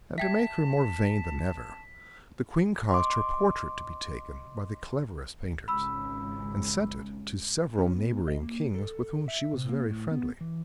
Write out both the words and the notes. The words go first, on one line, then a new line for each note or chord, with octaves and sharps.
And to make her more vain than ever the Queen caused her portrait to be taken by the cleverest painters and sent it to several neighboring kings with whom she was very friendly.
E5 G5 A5 G#6 B6
D#5 C6 D6
G#1 C#2 B5 E6
C#4
B3
D#5
A#3
A4
E5
C3
A#3
A2
B3
E3